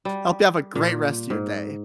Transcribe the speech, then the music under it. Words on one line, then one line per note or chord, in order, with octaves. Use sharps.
Hope you have a great rest of your day.
G3
A#2
G#2